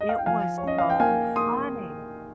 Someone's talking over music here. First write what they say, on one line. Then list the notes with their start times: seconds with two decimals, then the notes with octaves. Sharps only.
It was so funny.
0.01 D#5
0.09 F5
0.18 G5
0.26 F3 F5 G#5
0.58 C#5
0.63 C#4 D#5
0.78 F5
0.90 G5
1.00 A#3 F5 G#5
1.36 A#3 C6 D#6